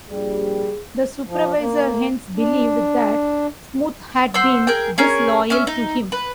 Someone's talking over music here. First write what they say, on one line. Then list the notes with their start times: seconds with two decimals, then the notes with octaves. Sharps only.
The supervisor hence believed that Smoot had been disloyal to him.
0.11 A#1 G3 G#4
1.27 F3
1.58 A#3
2.36 D4
4.34 C5 F#5 E6
4.67 G#4 A#4 G5
4.98 C#4 G#4 A#4
5.50 C#4 E5 F6
5.67 D#4
6.12 B4